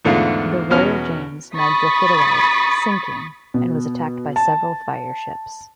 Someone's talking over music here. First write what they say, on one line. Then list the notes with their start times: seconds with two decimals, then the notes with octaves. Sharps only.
The "Royal James" now drifted away, sinking, and was attacked by several fire ships.
0.05 E2 G#2 D3 A3 F4 F5
0.70 E2 B2 C#4 F6
1.56 B5 C#6 D#6 A6 B6
3.54 B2
4.36 A5